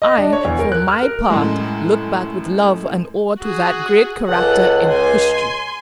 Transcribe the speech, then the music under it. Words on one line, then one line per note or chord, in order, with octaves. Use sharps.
I, for my part, look back with love and awe to that Great Character in history.
D#5
D4
C#5
E2
A#4
F#6
F6
A#4
F#2 A2 G#3
F#4 G#4
C#2 A4 F#5
G#5 C6